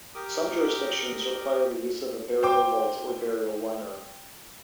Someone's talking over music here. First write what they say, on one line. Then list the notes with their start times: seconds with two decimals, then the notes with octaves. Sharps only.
Some jurisdictions require the use of a burial vault or burial liner.
0.15 G4 A#4 D6 D#6
2.43 C5 G5 D6